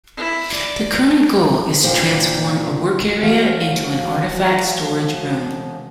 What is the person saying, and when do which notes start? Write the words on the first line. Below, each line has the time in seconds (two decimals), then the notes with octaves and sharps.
A current goal is to transform a work area into an artifact storage room.
0.17 E4
0.51 D5
1.83 A#2 D3 D#3 F3 A#3 C4
3.23 E3 G#3 F#4 F5